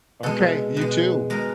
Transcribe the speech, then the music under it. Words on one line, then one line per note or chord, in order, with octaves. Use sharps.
Okay, you, too.
B2 G#3 A4
B2 G#3
B2 G#3 A#4